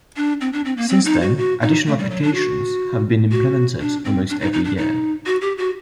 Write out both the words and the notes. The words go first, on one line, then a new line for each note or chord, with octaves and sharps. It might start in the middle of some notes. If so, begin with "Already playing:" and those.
Since then, additional applications have been implemented almost every year.
D4
C4
D4
C4
A#3
C4
D#4
F#4
F#4
D#4
A3
G3
F#3
D4
F#4
F#4
D4
C4
D4
D#4
D#4
D4
D#4
F#4
G4
F#4